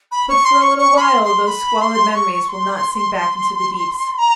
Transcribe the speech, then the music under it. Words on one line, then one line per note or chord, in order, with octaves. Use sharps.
But for a little while those squalid memories will not sink back into the deeps.
B5
C#6
C6
C#6
C#6
B5
C6
C6
B5
C6
C#6
C6
A#5